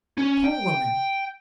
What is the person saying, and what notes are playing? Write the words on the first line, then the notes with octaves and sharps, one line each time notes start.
"Poor woman!"
C#4
G5